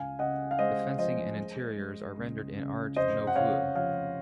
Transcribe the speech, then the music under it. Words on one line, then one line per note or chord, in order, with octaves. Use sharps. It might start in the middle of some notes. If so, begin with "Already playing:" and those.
The fencing and interiors are rendered in Art Nouveau.
Already playing: C#2 F5 G#5
C#3 D#5 F#5
F5
G#3 C5 D#5
F3 C5 D#5
G#3
G#3
C#2
C#3
F1 C5 D#5
F#5
C#3 C#5 F5
F3 C#5 F5